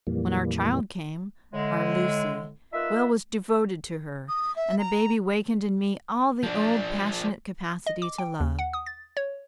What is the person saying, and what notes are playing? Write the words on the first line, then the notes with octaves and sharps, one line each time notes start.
When our child came--our Lucy--Will was devoted to her, and the baby wakened in me all the old passionate capacity to love.
F2 A#2 E3 G3 A#3
A2 D3 G#3
A#3 D#4 F4 B4 E5
D#6
E5
A#5
F3 D4
D#5
D6
G5
D#2
F#5
D#6
A6
C#5